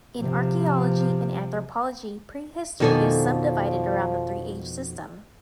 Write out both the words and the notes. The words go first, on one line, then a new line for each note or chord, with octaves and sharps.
In archaeology and anthropology, prehistory is subdivided around the three-age system.
C3 F3
F2 B2 D#3 F3 D4 A4 G#5